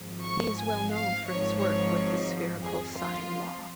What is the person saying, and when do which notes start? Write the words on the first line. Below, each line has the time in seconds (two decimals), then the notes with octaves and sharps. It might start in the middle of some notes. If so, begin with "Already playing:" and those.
He is well known for his work with the spherical sine law.
Already playing: G#1 G#2 F3
0.24 C#6
0.59 G#5
0.93 F5
1.27 G#1 G#2 F3 C#5
1.60 C#5
2.62 F2 F3 G#4
2.96 F4